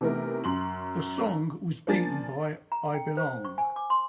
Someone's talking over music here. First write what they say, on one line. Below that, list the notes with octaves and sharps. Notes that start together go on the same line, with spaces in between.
The song was beaten by "I Belong".
C3 E3 A3 B3 D#4 A#4
F#2 C6 F#7
F3 A#3 D4 G#5 A6
A#5
G5
C5
C#6
G#5
D6
C6